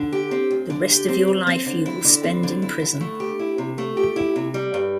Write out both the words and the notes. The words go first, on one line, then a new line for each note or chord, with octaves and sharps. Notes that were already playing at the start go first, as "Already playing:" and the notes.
The rest of your life you will spend in prison.
Already playing: D3
G4
C4
D2
D3
G4
C4
D2
C4
D3
E4
D3
C4
D3
E4
D3
A3
G4
E4
C3
A3
G4
E4
C3
G3
G2